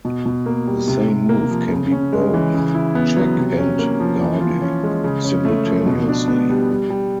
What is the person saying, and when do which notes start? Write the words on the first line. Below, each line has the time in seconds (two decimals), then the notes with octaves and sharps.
The same move can be both "check" and "garde" simultaneously.
0.05 B2
0.26 B2
0.46 A#3
0.67 G3
0.88 C3
1.08 C3
1.29 A#3
1.50 F3
1.71 C#3
1.91 C#4
2.13 G#3
2.34 E3
2.54 C#3
2.74 E4
2.95 B3
3.16 F#3
3.37 C3
3.58 C#4
3.79 A#3
4.00 F3
4.21 E3
4.41 F4
4.62 C#4
4.83 G#3
5.04 C#3
5.24 C#4
5.45 A3
5.65 F3
5.86 B2
6.08 D4
6.28 B3
6.50 G3
6.71 G3
6.90 G3